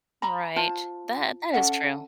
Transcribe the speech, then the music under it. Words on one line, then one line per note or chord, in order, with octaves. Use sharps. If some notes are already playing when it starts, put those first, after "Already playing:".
Right. That that is true.
A#5 B5
F4 C5 A5
C#4 A4 E5 F#5